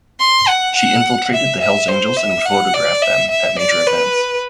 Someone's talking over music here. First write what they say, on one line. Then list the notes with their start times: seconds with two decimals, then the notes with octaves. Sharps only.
She infiltrated the Hells Angels and would photograph them at major events.
0.20 C6
0.48 F#5
0.76 F#5
1.33 E5
1.61 E5
1.89 C5
2.17 E5
2.46 F#5
2.74 D5
3.02 E5
3.31 E5
3.59 D5
3.87 B4